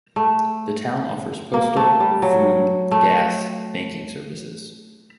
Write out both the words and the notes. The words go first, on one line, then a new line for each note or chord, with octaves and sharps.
The town offers postal, food, gas, banking services.
A3
A#3
A3
G3
F#3
A3